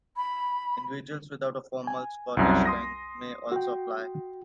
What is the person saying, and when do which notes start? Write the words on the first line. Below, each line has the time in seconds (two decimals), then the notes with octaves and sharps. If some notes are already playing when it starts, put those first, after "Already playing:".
Individuals without a formal Scottish link may also apply.
0.17 B5
1.87 G#5
2.37 C2 F#2
2.65 C6 D#6 A#6
3.52 F#4 G5